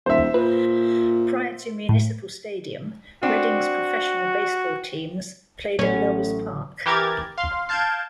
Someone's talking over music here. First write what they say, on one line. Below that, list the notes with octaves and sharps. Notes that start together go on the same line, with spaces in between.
Prior to Municipal Stadium, Reading's professional baseball teams played at Lauer's Park.
D#1 C5 E5
A#2 B4
A2
C4 D4 F#4
A1 F#3 A3 B3 C#4
E3 G4 A#4 G#6 A6
F5 C6
F5 A5 G6 G#6 D7 E7